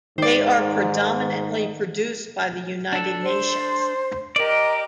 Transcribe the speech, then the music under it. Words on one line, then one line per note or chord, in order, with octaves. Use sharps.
They are predominantly produced by the United Nations.
G#2 D#3 C5 D5
D4 A4
C5
G4 A#4 D5 D#5